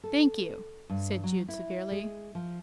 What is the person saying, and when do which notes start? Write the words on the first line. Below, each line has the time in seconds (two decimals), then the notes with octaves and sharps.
"Thank you!" said Jude severely.
0.03 A4
0.89 G2
1.23 F#3
1.48 E4
1.91 G#3
2.35 F3